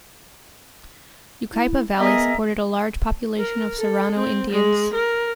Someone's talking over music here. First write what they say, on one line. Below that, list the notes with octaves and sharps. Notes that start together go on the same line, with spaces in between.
Yucaipa Valley supported a large population of Serrano Indians.
E4
B3 G#4 A#4 D#5 E5 A#5
A#4
A4
C4
G#3
A#4